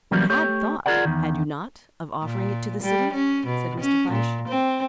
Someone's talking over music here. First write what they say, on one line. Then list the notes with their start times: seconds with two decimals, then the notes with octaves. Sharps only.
"You had thought, had you not, of offering it to the city?" said Mr. Fyshe.
0.11 E3 F#3 G3 A#3 B3 C#4
0.30 A3 G4 C#5
0.86 F4 G4 G#4 A#4 D5 F#5
1.05 E2 D#3
2.23 A#2
2.83 G3
3.13 C#4
3.47 B2
3.81 C#4
4.11 A#2
4.48 C4